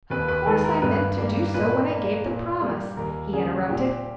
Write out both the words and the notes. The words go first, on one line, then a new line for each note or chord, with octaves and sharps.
"Of course I meant to do so when I gave the promise," he interrupted.
D#2 B4
B4
D#3 G#3 B4
A#4
G2 B4
G3 A#3
A#2 B4
A#3
A#2
G3 A#3
D#2 A#4
C#3 G3 G#4
A#2 G4